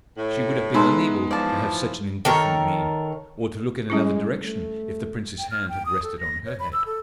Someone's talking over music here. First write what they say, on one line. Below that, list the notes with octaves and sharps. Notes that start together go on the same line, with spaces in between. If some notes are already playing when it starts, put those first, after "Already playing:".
She would have been unable to have such an indifferent mien, or to look in another direction if the prince's hand had rested on her head.
A2
G#3 B3 D#4 B4 E5 A#5 C6
E3 F3 D5 A5
D#3 A4 A#4 C#5
G3 G#3 C#4 E4
A3
G5
F6
G5
D#6
A4
A#6
C#5
B5
E6
A4